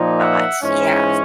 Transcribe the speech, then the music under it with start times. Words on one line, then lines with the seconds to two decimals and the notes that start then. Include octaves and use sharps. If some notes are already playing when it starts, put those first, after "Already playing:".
Thoughts yeah, s
Already playing: A#2 F3 A#3 D#4
0.18 E5 F#5
0.63 G#2 E3 G#3 C#4